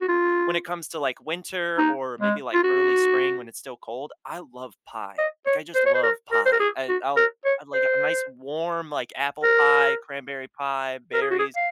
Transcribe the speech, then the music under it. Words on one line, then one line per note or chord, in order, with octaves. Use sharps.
when it comes to, like, winter or maybe, like, early spring when it's still cold, I love pie. Like, I just love pie. I I'll I'd like a nice warm, like, apple pie, cranberry pie, berries.
F#4
F4
D#4
G#3
F4
F#4
D#5
C#5
C5
C#5
C5
A#4
A#4
C5
A#4
G#4
F#4
A#4
C#5
C5
A#4
A#4
G#4
F#4
G#4
F5